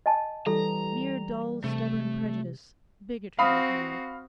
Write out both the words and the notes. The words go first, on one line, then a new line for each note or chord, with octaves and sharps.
Mere dull, stubborn prejudice; bigotry, if you like.
D#5 G#5 A5
E3 G3 A4 A#5
C3 A3
C4 F#4 F5 B5 D#6